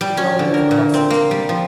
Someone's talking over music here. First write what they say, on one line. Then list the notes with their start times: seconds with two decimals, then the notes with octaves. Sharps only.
The girl moved closer to him.
0.01 G3
0.17 C#4
0.39 D3
0.54 A#4
0.71 A#2
0.94 C4
1.10 A#3
1.31 G3
1.49 F3